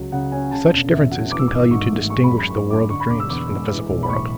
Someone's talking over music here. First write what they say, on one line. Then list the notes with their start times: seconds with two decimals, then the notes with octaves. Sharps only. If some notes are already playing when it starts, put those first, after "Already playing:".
Such differences compel you to distinguish the world of dreams from the physical world.
Already playing: C#2 F#3
0.12 C#3 F#5
0.32 C#4 G#5
0.51 C#3 A5
0.71 E1
0.91 E2 E5
1.11 F#3 F#5
1.31 E3 D6
1.39 E6
1.48 G#1 D6
1.71 G#2 C#6
1.91 A3
2.10 G#3 C#6
2.24 B5
2.31 F#2
2.37 B5
2.50 E3 C#6
2.70 D4 D6
2.90 D3 C#6
3.00 B5
3.09 E1 D6
3.20 E6
3.30 E2 D6
3.50 G#3
3.70 E3
3.89 B1
4.03 B5
4.09 A2 C#6